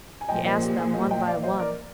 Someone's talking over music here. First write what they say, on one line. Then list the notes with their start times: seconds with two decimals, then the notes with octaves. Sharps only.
He asked them one by one.
0.21 G#5
0.29 A#2 F3 A#3 D#5 G5
0.45 C5 D#5
0.56 G#4
0.62 G4
0.78 G#4
0.94 C5 D#5
1.10 D#5 G5
1.27 D5 F5
1.43 C5 D#5
1.59 A#4 D5